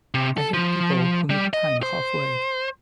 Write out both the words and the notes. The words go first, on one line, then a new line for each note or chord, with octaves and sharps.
I hate people who meet time halfway.
C3
A4
F3
G3
D#5
C5